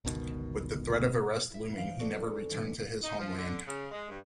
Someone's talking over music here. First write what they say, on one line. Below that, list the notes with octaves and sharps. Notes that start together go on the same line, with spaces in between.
With the threat of arrest looming, he never returned to his homeland.
G1 C#2 B2 D#3
E4 E5
E2 E3 C5 F5 D7
C4 F#4 G#4 A4 D5
D4
G#2 E3 G3
D#4
F3
D3
C#3
G#3
G2